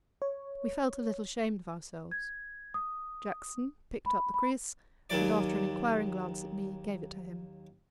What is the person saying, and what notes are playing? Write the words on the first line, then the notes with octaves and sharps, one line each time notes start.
We felt a little ashamed of ourselves. Jackson picked up the kriss, and, after an inquiring glance at me, gave it to him.
C#5
G#6
D#6
B5
B5
D#2 D#3 F#3 D5